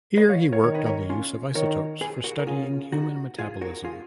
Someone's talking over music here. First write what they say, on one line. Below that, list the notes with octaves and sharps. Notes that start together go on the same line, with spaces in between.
Here he worked on the use of isotopes for studying human metabolism.
B4 D#5
C#5 F5
A#4 C#5
D#3 A#4 C#5
B4 D#5
A#4 C#5
C#4 F4
D#3 A#4 C#5
G#4 B4
F#4 A#4
A#4
C#3 F4 G#4
D#4 F#4
F4 G#4
F#4 A#4
F4 G#4